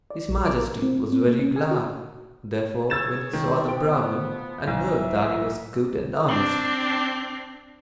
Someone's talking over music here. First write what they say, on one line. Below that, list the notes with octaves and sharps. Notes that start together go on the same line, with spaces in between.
His Majesty was very glad, therefore, when he saw the Brahman and heard that he was good and honest.
D5
A#1
D6
A#4
C4
C4
A#3
C#4
G#5
F#4
G#4 C#5 E6 A6 E7
D#3
F3 B3 G5
B1
E3 E5
C4 D4